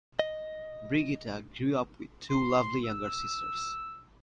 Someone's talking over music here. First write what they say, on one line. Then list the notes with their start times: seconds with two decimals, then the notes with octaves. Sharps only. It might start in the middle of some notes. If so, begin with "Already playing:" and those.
Brigitta grew up with two lovely younger sisters.
0.19 D#5
2.30 C6
2.85 E6